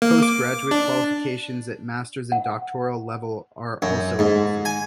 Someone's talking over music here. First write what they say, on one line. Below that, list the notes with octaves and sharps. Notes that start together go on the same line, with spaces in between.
Post-graduate qualifications at masters and doctoral level are also offered.
A#3
D6
D4
F#5
F#2
G#2
G#5